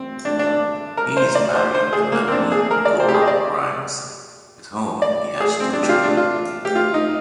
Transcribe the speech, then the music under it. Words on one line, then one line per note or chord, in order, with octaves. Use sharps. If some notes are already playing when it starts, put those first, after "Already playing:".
He is married to Melanie Gore-Grimes, with whom he has two children.
Already playing: C4
D4
D4
A#4
C5
D5
C5
C5
G#4
A#3
C4
D4
G#4
A#4
D5
C5
G4
G#4
D#5
D5
D5
G#4
C4
D4
G4
F4
D4
F4
G4
F4
D#4